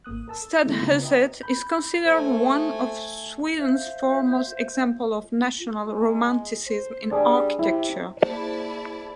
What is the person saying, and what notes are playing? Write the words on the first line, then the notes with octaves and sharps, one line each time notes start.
Stadshuset is considered one of Sweden's foremost examples of national romanticism in architecture.
G#1 A#3 D#6 F#6
A#4 A5 E6
D#3 G#3 A3 B3 E4
C#3 F4 A#5
B4 D#5 E5 G5 A#5
B5 G6
A3 C5 G#5
C5 E5 F5 G6
G#3
C5
G3 D4 G#4
C3 E4
A#3 E4 G#4 C5 D5 A5